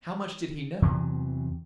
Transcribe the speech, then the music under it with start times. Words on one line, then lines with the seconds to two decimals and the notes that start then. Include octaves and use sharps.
How much did he know?
0.82 E2 C3 E3 F#3